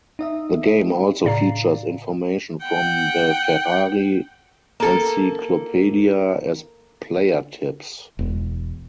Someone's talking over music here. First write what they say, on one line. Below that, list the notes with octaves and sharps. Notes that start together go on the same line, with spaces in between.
The game also features information from the Ferrari Encyclopedia as player tips.
D#4 D#5 E5
A2 C#3 D5 F5 A#5 C7
F#5 G5
A#3 A4
E1